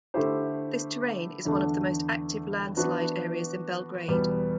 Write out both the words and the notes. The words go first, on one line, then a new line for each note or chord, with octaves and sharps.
This terrain is one of the most active landslide areas in Belgrade.
D3 A3 E4 G4 C5
E2 D3 A3 D4
E3 B3 D4 F#4 B4
E2 B2 G3 B3